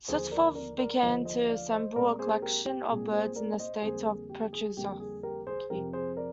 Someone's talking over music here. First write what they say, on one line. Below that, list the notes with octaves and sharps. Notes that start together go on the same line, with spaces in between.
Severtzov began to assemble a collection of birds in the estate of Petrovskoe.
D#2 D3 F3 A#3 G#4 C5
A#4 D5
A#4 D5
A#4 D5
D#2 D3 F3 A#3 C5 D#5
C5 D#5
D5 F5
C5 D#5
A#2 G#3 C4 A#4 D5
G#4 C5
G4 A#4
G4
A#2 G#3 C4 G#4
G#4 C5
A#4 D5
C5 D#5
F2 D3 G3 A#3 G#4 C5
G#4
G4
G#4
F2 D3 G3 A#3 G4
G#4
G4 A#4
G#4 C5
F2 C3 F3 C4 G4 A#4
G#4 C5
A#4 D5